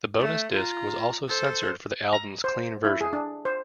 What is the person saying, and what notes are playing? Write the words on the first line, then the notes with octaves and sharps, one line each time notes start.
The bonus disc was also censored for the album's clean version.
A3
F4 A#5
A4 C5
A#5
C5
E4
G#4
D4
C5